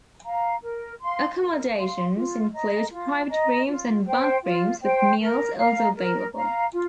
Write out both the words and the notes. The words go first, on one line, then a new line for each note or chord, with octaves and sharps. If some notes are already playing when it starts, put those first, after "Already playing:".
Accommodations include private rooms and bunkrooms, with meals also available.
F5 A#5
A#4
F5 C6
A#4
F5 C6
F4
D#5 A#5
F4
D#5 A#5
F4
C5 G5
F4
C5 G5
A#4
F5 A#5
A#4
F5 A#5
F4